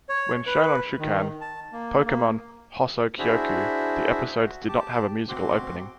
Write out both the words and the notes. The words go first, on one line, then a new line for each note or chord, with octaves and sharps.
When shown on Shūkan Pokémon Hōsōkyoku, the episodes did not have a musical opening.
C#5
B4
D#3
A5
A#3
A#3
D4 E4 F#4 G#4 C5 E5
F#4
G4 A5 D6
D2 B2 C4 F#4 C6 D6